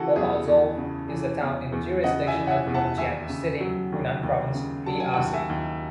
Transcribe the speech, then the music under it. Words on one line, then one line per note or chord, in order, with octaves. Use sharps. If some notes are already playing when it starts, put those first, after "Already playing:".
Huangmaozhou is a town in the jurisdiction of Yuanjiang City, Hunan Province, P.R.C.
Already playing: C#3 E3 E4 F#4 G#4 A4
E2 E4 G#4
E2
C#3
E3
E2
E2
C#3 D#5 F#5
E5 G#5
E3
F#5
E5 G#5
E2
F#5 A5
D#2 E5 G#5
C#3
F#3
D#2
D#2
C#3
F#3 A5
G#5
D#2 F#5 A5
E5 G#5
D#2